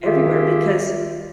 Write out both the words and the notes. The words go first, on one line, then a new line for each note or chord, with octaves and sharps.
everywhere? Because
D#3 F4 G4 G#4 E5